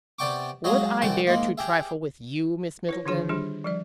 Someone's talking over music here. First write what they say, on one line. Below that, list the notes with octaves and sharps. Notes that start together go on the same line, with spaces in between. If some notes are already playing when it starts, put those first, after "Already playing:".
"Would I dare to trifle with you, Miss Middleton?"
C3 B3 D5 G5 C#6 D6
F#3 G#3 F#4 G#4 D#5 F5
C2 C3 E3 F#4 G5 A5
G#2 G#3 A#3
G4 G#4 E5
E4 B4 C#5
D3 D#3 D4 F4 G#4 C#5
D#3 G3 D4 G4 G#4
F3 G3 D5